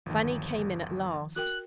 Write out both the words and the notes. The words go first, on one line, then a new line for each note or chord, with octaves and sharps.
Fanny came in at last.
G1 D#2 D#3 F3
F#4 A#4 G5 F#6